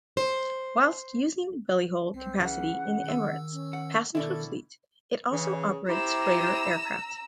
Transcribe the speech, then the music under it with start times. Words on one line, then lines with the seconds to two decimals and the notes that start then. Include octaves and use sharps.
Whilst using bellyhold capacity in the Emirates' passenger fleet, it also operates freighter aircraft.
0.17 C5
2.14 C2 C4
2.40 C#3 E3 F#5
3.04 D#3 E6
3.52 C#4
3.73 F#5
4.15 B2 D#3 D4 E4 A4
5.32 C#3 E3
5.89 C3 E4 G4 C5 A#5 E6